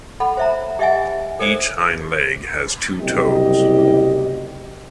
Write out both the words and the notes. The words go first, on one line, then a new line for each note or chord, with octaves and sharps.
Each hind leg has two toes.
A4 F#5 B5
C5 E5 A#5
G4 D#5 E5 F#5 G#5
A4 A#4 C5 D5
F#1 C2 G4 D#5